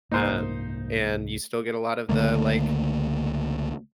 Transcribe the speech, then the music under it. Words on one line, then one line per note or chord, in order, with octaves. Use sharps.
Um, and you still get a lot of the, like,
C2 G#2 A#3 D#4 C5
C#2 D3 A3 A#3